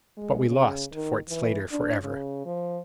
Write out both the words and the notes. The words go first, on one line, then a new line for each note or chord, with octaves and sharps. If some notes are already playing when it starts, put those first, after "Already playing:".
But we lost Fort Slatter forever.
G#3
C#3
D#3
E3
D4
C#3
F3